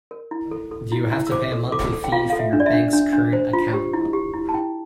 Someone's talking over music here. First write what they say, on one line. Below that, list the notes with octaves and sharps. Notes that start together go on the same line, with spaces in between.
Do you have to pay a monthly fee for your bank’s current account?
A#4
E4
A4
A4
E4
E4
E6
C5 D6
A4
A4 D6
A4
G5
F4 F5
A4 F5
E5
D4
D5
E5
D4
D4
D4
C5
F4
G4
E4
G4
E4
A5
E4 G5